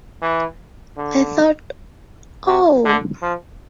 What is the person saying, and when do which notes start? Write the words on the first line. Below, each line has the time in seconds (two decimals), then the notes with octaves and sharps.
I thought, 'Oh!
0.22 E3
0.97 D3
2.47 C3
2.85 D3
3.22 F3